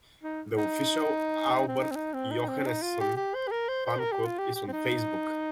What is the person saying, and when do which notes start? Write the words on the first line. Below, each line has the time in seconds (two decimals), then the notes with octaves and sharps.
The official Albert Johanneson Fan Club is on Facebook.
0.23 D#4
0.57 D#4
1.68 C4
1.79 D#4
1.91 C4
1.95 D#4
2.13 C4
2.31 D#4
2.48 C4
2.66 D#4
2.82 F4
3.00 G4
3.16 G4
3.34 C5
3.47 G4
3.51 A#4
3.68 C5
3.85 C5
3.99 A#4
4.12 G4
4.25 F4
4.38 G4
4.55 G4
4.68 C4
4.72 D#4